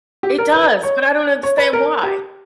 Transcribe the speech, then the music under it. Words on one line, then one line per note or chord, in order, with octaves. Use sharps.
It does, but I don't understand why.
G4
A#4
B4
C#5
C#5
B4
A#4
G4